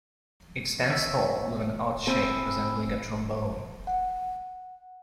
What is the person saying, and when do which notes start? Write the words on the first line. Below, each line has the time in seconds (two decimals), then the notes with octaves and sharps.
It stands tall, with an odd shape resembling a trombone.
0.90 C#5 E5
2.07 C4 E4 G#4
3.87 F#5